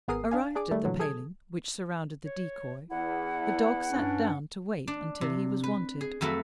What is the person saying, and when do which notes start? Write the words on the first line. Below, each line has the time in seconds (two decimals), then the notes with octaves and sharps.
Arrived at the paling which surrounded the decoy, the dog sat down to wait until he was wanted.
0.08 G#1 B3 G#4 A#4 D#6 C7
0.31 D4 F5 G#5
0.55 D4 G#4 D5 D6
0.71 D#3 G3 A3
0.85 A#2 D3 E3 F#3
0.99 G#4 A4 D#6 G#6
2.26 C#5
2.90 E2 E4 F#5
3.91 G2 C#4 D4
4.87 D4
5.21 C3
5.64 B4
6.01 G#4
6.21 F2 F#3 A3 A4 B4